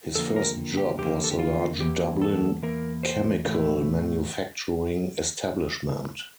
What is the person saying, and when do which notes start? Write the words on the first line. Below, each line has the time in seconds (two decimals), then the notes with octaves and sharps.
His first job was a large Dublin chemical manufacturing establishment.
0.15 F2 D3 F3 A#3 A4
0.36 A#4
0.77 G4
0.98 F2 D3 F3 A#3 G4
1.24 A4
1.31 G4
1.39 F4
1.80 E2 E3 A#3 G4
2.22 A4
2.63 E2 E3 A#3 A#4
3.03 C5
3.45 A2 E3 A3